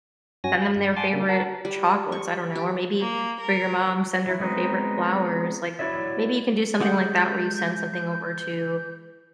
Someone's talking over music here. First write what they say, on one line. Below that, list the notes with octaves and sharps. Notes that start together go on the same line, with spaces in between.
send them their favorite chocolates, I don't know. Or maybe for your mom, send her her favorite flowers, like, maybe you can do something like that where you send something over to
G2 F#3 C#4 F#4 G#5 A#6
F5 B5
G2
F#5 G#5 A5 C6 D6
C#3 G3 A#3 D4
F#4 A#4 F#5 A5
G3
C#6
G4
A#3
A#4
F#3 E4
G#3 B3 C4 D#4
E4 F#4 C#5 D5 E5
G#3 G4 F#5 G6